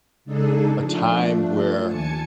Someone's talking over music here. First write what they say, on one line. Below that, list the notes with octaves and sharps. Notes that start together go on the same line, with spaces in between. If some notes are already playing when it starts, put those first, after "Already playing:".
a time where
C#3 G#3 D4 D#4 G#4 A4
F3 A3 D4
D#2 G#5 A5 C#7